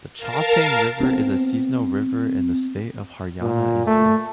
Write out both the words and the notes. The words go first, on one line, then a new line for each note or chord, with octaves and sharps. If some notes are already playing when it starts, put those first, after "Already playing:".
The Chautang river is a seasonal river in the state of Haryana, India.
A#4 F5 A5
B3 C4
A#2
A3